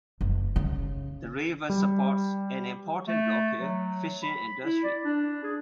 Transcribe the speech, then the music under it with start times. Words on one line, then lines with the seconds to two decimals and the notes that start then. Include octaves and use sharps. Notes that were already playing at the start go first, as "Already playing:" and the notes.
The river supports an important local fishing industry.
0.21 F#1
0.56 C#3
1.70 G3
3.08 A3
3.60 F#3
4.23 B5
4.64 E4
4.83 D5
5.04 D4
5.43 G#4